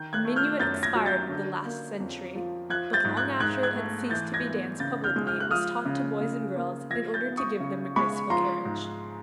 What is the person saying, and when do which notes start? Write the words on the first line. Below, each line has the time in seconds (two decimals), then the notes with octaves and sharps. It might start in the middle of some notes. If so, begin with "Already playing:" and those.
The minuet expired with the last century: but long after it had ceased to be danced publicly it was taught to boys and girls, in order to give them a graceful carriage.
Already playing: D#3 G6
0.13 F#6 G#6
0.25 A3
0.36 F6 G6
0.59 F#2 G6 A6
0.83 G#6 A#6
0.95 F#3
1.06 G6 A6
1.29 D3
1.65 A#3
2.00 F2
2.35 F3
2.70 F3 F#6 G#6
2.93 G6 A6
3.05 G#2
3.17 F#6 G#6
3.40 G#2 F#6 G#6
3.63 F#6 G#6
3.76 A3
4.10 E3 G6 A6
4.34 G#6 A#6
4.45 B3
4.80 C#3 G6 A6
5.04 F6 G6
5.16 G#3
5.27 F6 G6
5.40 F#6
5.51 F3 D#6 F6
5.85 C#3
6.21 C#3
6.56 A#3
6.90 F3 G#6 A#6
7.14 G6 A6
7.26 B3
7.37 C#6 D#6
7.60 C#3
7.96 G#3 B5 C#6
8.30 F3 A#5 C6
8.65 G#2